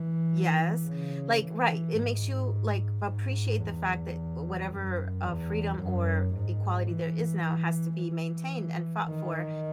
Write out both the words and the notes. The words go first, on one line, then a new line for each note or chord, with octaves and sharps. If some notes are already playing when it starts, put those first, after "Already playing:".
Yes, like, right, it makes you, like, appreciate the fact that, eh, whatever, uh, freedom or equality there is now has to be maintained and fought for.
Already playing: E3
C#3
E3
G#2
G#2
E2
F#2
E2
F#2
G#2
E3
E3
D#3